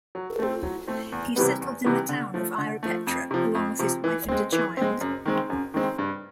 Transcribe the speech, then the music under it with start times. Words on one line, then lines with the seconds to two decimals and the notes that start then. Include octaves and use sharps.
He settled in the town of Ierapetra along with his wife and a child.
0.15 F#3
0.39 A3 C4
0.63 F#3
0.87 A3 C4
1.12 E2
1.36 C3 E3 G3 B3
1.61 E2
1.84 C3 E3 G3 B3
2.09 D3
2.34 F3 A3
2.58 D3
2.83 F3 A3
3.07 F2
3.31 C3 F3
3.55 F2
3.79 C3 F3
4.04 E3
4.28 G#3 C4
4.52 E3
4.77 G#3 C4
5.01 F#2
5.25 D#3 G#3 C4
5.50 F#2
5.74 D#3 G#3 C4
5.99 G2